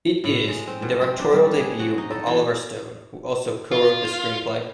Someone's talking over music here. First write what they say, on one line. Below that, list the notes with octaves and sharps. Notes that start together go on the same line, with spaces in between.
It is the directorial debut of Oliver Stone, who also co-wrote the screenplay.
A2
G#3
C4
B2
C4
D4
G3
G#4
F#4
D#4
A4
E3
F4